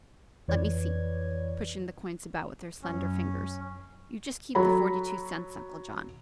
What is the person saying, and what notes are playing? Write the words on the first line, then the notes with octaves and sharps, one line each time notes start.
Let me see," pushing the coins about with her slender fingers, "you just keep the forty-two cents, Uncle John.
F2 E3 B4 C#5 D5 G#6
F#2 F#3 C#4
F#3 F#4 A4 C#5 A#5 B5